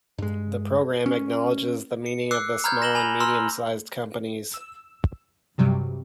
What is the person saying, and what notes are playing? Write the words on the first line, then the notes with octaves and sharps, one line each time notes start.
The programme acknowledges the meaning of the small and medium-sized companies.
G2 G#3
C#4
C#7
D6 E6 F#6 C7
A#5 B5 F6 G6 G#6
A#6 E7 F#7 G7
G#5 B5 F7
A#5 C6 E6 F6
E6
G2 C3 F#3 G3